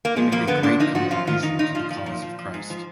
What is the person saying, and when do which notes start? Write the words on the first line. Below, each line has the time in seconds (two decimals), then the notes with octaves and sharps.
He made a great contribution to the cause of Christ.
0.05 A#3
0.16 F3 G#3
0.32 F2 A#3
0.47 D3 B3
0.63 A#2 D4
0.80 F3 D#4
0.95 F3 F#4
1.11 F#2 F4
1.27 D#3 F4
1.43 D#3 D#4
1.59 A#2 D#4
1.75 F3 F4
1.91 F3
2.06 A#2
2.22 F3
2.39 F3
2.54 G#2
2.70 F3